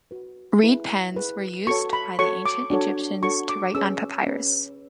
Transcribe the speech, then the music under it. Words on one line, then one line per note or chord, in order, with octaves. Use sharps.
Reed pens were used by the ancient Egyptians to write on papyrus.
F#4 B4
E4 G#4 B4
E4 G#4 B4
F#4 A4 C#5 C#6
B5
F#4 A4 C#5 C#6
D6
D4 F#4 A4 C#5
D4 F#4 A4 C#5 C#6
D6
C#4 G#4 B4 E6
C#4 G#4 B4